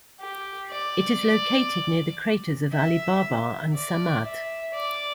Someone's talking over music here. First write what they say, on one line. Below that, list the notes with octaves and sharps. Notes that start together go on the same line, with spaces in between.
It is located near the craters Ali Baba and Samad.
G4
D5
E5
D5
E5
D5